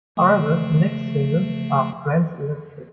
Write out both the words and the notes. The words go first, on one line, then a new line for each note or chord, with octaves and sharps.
However, the next single, Are 'Friends' Electric?
C#3 F3 A3